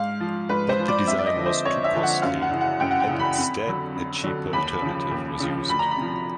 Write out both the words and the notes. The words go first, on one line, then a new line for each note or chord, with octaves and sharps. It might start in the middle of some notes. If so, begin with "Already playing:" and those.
But the design was too costly and instead a cheaper alternative was used.
Already playing: G#2 F5
F3
G#2 B4
C5
F3
D5
F2 E5
D5
D#5
D3 F3
C5
F2 C#5
E5
D3 F3
F#5
F#2 F5
F#5
C#3 E3
F#5
F#2 G5
F#5
G5
C#3 E3
B5
F2
D3 F#3
F2
D3 F#3
D#2 B5
C#3 F3
D#2
C#3 F3
D2 B5
A#5
B5
C3 F3